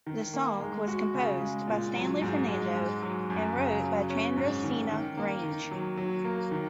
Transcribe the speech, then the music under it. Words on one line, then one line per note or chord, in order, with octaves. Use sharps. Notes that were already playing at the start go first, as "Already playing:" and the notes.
The song was composed by Stanley Fernando and wrote by Chandrasena Range.
D#3
A#3
G#3
F#4
C#3
G#3
A#2
F#3
G#2
G#3
G#2
F#3
F#2
C#3
F#3
C#4
G#2
D#3
D#3
A#3
D#3
F#3
F#3
A#3
D#3